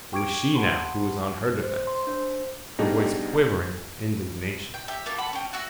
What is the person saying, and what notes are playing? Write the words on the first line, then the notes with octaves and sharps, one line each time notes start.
It was she now who was on her defence, her voice quivering with indignation.
G5 C#6 D6 G#6 D7
F#5 A5 B5 C6
C5
C6
D4 C5
B2 G3 D4 D#4 G#4 A#5
G5
G4 E5
A#3 F4 A4
A4 F#5 B5
C#4 G5
F#4 E5 F#5